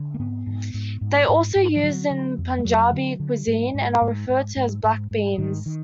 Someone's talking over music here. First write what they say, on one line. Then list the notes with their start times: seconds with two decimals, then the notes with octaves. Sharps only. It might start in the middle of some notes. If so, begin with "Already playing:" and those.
They are also used in Punjabi cuisine and are referred to as black beans.
Already playing: D3
0.14 A#3
0.19 G#2 B3
0.47 G#2
0.74 G#2
1.01 G#2
1.29 G#2
1.55 G#2
1.76 F3
1.83 D3 F#3
2.11 D3
2.38 F2
2.59 G#3
2.65 F2 F#3
2.92 D3
3.20 D3
3.47 G#2
3.74 G#2
4.01 G#2
4.29 G#2
4.56 G#2
4.84 G#2
5.11 G#2
5.38 G#2 D#3
5.66 D#3